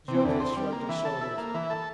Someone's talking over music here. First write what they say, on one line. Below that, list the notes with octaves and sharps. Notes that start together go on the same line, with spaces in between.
Julius shrugged his shoulders.
C3
C4
E2 D4
C4
G3
A#3
E3
A4
E4
A#3
E3
A4